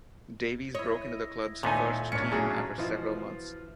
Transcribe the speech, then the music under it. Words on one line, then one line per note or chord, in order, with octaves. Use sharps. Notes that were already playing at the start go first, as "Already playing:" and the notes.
Davies broke into the club's first team after several months.
E4 C#5 D#5
D#2 A#2 A3 B3 D#4 G#5
A2 C#4 D4 C#5 C#7
B1 F#3 G#4
B2 E3 F3 F4